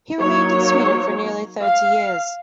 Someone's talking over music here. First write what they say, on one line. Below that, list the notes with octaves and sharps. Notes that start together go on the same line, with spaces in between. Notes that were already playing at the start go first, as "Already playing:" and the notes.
He remained in Sweden for nearly thirty years.
F#3 A#3 D#4 C#5
F5